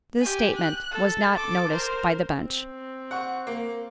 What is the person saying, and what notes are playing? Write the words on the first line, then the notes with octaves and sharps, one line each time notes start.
This statement was not noticed by the bench.
G4 G#5
F#6
A4
A4 D6
A#4 C5
C4
F#5 C#6
A#3